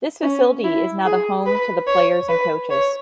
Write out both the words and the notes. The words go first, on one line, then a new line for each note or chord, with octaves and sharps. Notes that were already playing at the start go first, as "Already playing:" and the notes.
This facility is now the home to the players and coaches.
C#4
E4
G#4
B4
C#5
B4
C#5